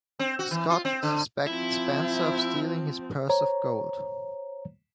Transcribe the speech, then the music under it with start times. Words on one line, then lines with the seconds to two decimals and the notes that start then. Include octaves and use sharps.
Scott suspected Spencer of stealing his purse of gold.
0.19 C4
0.39 F#4
0.51 E3
0.70 F4
0.85 C4
1.03 D3
1.47 F3 C4 E4
3.29 C5 C#5 A#5